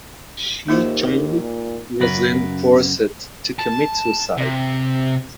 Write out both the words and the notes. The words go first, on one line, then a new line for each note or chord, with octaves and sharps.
Shi Chong was then forced to commit suicide.
D#2 G#2 A#3 D#4 F4 E5
A#2
F#2 C#3 A#4 B4
A5
C3